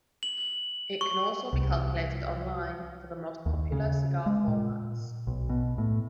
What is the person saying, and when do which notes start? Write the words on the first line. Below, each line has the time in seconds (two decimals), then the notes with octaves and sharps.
It can also be calculated online for the most popular cigar formats.
0.23 F#7
1.01 C#6
1.53 C2
3.46 D#2
3.72 C#3
4.26 G#3
4.48 A#2
5.27 B1
5.49 B2
5.78 A2